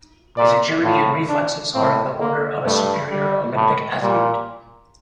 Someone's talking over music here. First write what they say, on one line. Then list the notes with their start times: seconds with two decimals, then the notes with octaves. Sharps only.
His agility and reflexes are of the order of a superior Olympic athlete.
0.37 A#2 D5
0.83 A2 F4
1.28 D4
1.74 A2 C4
2.20 A#3
2.65 G2 A3
3.10 G3
3.56 A2
4.02 A#2 G3